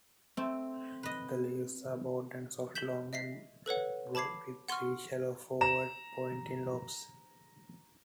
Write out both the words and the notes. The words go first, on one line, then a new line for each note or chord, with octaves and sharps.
The leaves are broad and soft, long and broad, with three shallow forward-pointing lobes.
A3 C4
B4 D#5
G6 B6 E7 F#7 G7
D#5 E5 B6 C7
A4 B4 C#5 F#5
A5 B5 D6 G#6 C7
F#5 C6 C#6 F6
A#5 E7